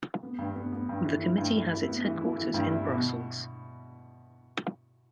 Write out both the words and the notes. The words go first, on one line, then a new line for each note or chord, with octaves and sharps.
The Committee has its headquarters in Brussels.
B3
G2
B3
B3
G2
E3
E4
G2
E4
E4
B3
E3
E4
E3
G2
E4
B2